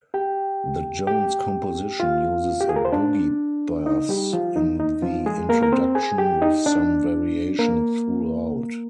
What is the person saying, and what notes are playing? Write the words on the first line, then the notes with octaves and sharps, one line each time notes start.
The Jones composition uses a boogie bass in the introduction with some variation throughout.
G4 G5
G4 G5
F4 F5
G4
G#4
A#4
C5
D4 D5
D#4 D#5
G3 G4
F3 F4
D#4
D#4
F3 F4
G#3 G#4
A#3 A#4
A#4
C4 C5
G#4 G#5
G4 G5
D#4 D#5
D4 D5
A#3 A#4